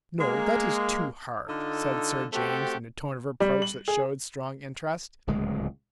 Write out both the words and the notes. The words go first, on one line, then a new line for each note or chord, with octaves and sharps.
"No, that is too hard," said Sir James, in a tone of reproach that showed strong interest.
G#3 A#3
D3 D#4 F4 A4
A3 C4 F#4 G4 A4
G3
F#7
G#4
D1 C#2 A#2 G#3